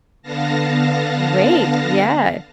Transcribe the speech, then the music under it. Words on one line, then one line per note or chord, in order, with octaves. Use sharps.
Wait, yes.
D3 B3 F5 A5 A#6